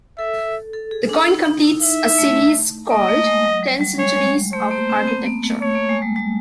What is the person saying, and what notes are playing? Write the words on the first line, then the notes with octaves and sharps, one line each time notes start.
The coin completes a series called "Ten Centuries of Architecture".
A4 E5
A4
G#4
D4
D#4
D#4
E4
D#4 E5
A3
A#3 D#5
A3
G#3
F#3
G3
G3
G#3 C#5
G#3
G#3
A3 C5
A#3
C4
B3
A#3
A3
A3 C#5
A#3
G#3
G3
G3